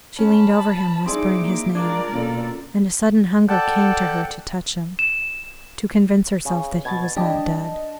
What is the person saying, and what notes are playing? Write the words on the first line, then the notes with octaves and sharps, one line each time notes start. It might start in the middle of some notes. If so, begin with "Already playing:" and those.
She leaned over him whispering his name, and a sudden hunger came to her to touch him, to convince herself that he was not dead.
C#4 A5 B5
G#3 C4 D#4 E4 G#4 D5 C6 D6
A#3
G#3 D4 F4 A#4 D5 D6 G#6
B2 A#3 C#4 F4 A4
A4 D5 F#5 G5 A5
E7
C#3
B2 G#6 A6
G3 D4 G4 D#5 A5